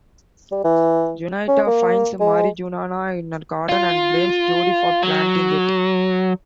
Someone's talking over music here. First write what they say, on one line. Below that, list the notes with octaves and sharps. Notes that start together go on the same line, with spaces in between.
Juanita finds marijuana in her garden and blames Jody for planting it.
G3
E3
C#4
A#3
G#3
F4
F#3